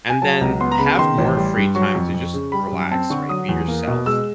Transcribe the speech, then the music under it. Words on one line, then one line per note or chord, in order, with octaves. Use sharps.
And then, have more free time to just relax, right? Be yourself,
G#5
F#3 A5
C#2 A#5
B3 C6
A#5
C#3 B5
D#3 C6
A1
G3
G2
F#3 C#6
F2
F2
C#3
G3 B5
F#2
C4 A5
D3 C#6
F#3 D#6
E2
A#3
B2
G#3 E6